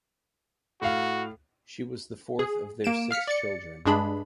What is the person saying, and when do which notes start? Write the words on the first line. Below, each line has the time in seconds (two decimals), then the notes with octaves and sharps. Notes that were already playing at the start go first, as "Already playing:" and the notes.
She was the fourth of their six children.
0.82 A2 F#4 F5
2.39 G#4
2.84 A#3 D7 E7
3.11 F5 F6 B6 C#7
3.27 D5 A6 C#7
3.86 G2 G#3 D4 G#4 B5